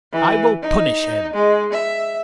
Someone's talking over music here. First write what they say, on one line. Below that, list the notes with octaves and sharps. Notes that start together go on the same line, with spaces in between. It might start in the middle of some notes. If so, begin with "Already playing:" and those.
"I will punish him."
E3
D#4
G#3
E5